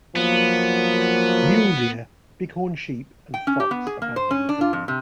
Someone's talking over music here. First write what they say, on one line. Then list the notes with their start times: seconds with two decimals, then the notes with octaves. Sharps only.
Mule deer, bighorn sheep and fox abound in this area.
0.16 F3 F#3 A#3 B3
3.34 G5
3.47 C#4
3.60 G4
3.71 B3
3.87 G#4
4.02 A#3
4.16 C5
4.31 C#4
4.49 D4
4.61 F4
4.73 F2
4.88 C3